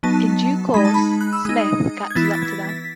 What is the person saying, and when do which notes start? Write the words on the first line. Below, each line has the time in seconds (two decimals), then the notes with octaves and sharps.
In due course, Smith catches up to them.
0.03 F#3 B3 D#4 A5
0.74 G#3 D#4 B5
0.85 A5
0.94 B5
1.21 F#6
1.33 E6
1.45 G#3 D#4 D#6
2.10 G#6
2.15 E3 B3 E4 A6
2.25 B6
2.33 A6
2.42 G#6
2.47 B6
2.51 A6
2.69 B6